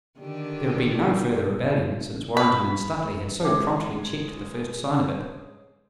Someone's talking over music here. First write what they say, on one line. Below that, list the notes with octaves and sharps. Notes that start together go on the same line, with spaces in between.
There had been no further rebellion since Warrenton and Stuteley had so promptly checked the first sign of it.
D3 D#3 G4
B4
G#3 C#4 E5 G5 D6